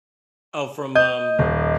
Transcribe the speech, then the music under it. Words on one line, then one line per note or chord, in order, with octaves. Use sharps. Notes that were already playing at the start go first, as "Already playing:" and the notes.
Oh, from, um
D#5 G6
D#1